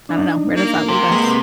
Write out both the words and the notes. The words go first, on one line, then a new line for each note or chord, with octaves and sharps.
I don't know, where does that leave us?
D4 D#4
A#3
C3
G#3 A#3 A#4 B4